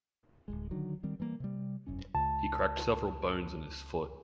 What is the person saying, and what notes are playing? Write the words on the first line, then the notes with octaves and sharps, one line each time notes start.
He cracked several bones in his foot.
D1 B1 G#3
D3 D#3 F#3
D#3 G3 C4
E3 G3 A#3
C3 G3
E1 F#2 C#4
C#2 A5